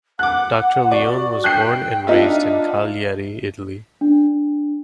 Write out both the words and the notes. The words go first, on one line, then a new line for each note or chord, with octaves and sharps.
Doctor Leone was born and raised in Cagliari, Italy.
F#5 D6 F#6
F#4 D5
G5 F#6 G6 C7
D4 D#4 F4 E5
D4